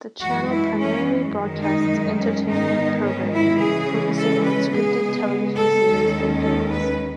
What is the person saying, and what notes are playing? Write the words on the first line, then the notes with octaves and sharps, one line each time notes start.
The channel primarily broadcasts entertainment programming, focusing on scripted television series and films.
F#2 E3 G#3 F#4
E4
C#4
F#2 D#3 G#3
D#4
C#4
G#2 D#3 G#3 B3 D#4
C#4
E4
C#3 E3 G#3 C#4 G#4
A4
B4
C#3 G#3 B3 G#4
A4
D#2 D#3 G#3 C#4
A4
B4